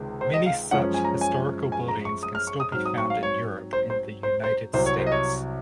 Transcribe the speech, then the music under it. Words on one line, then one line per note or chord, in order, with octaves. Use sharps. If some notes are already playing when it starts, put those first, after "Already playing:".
Many such historical buildings can still be found in Europe and the United States.
Already playing: C#2 C3 D#3 G#3
C5
D#5
F5
F#2 F3 G#3 C#4 F#5
G#5
A#5
G#5
G#5
A#5
C#6
D#6
F6
C#6
D#6
G#2 F#3 C4 F6
D#6
C#6
F5
C#5
C5
C5
C5
C5
C2 C3 F#3 C5
C#5
C5
D#5
C#5